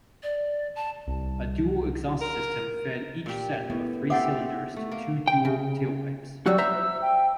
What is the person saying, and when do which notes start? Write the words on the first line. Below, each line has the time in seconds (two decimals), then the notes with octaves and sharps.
A dual exhaust system fed each set of three cylinders to two dual tailpipes.
0.23 D5
0.76 A5
1.07 C2
2.21 A#4
3.26 A#2 G4
3.70 A2 B3
4.10 C4 G4 A4 C#5 E5 F#5 D6
4.76 A3
4.92 A#3
5.28 G5
5.45 C#3
6.46 F#3 G3 F#4 E6
6.58 C5 E5 A#5
7.02 G5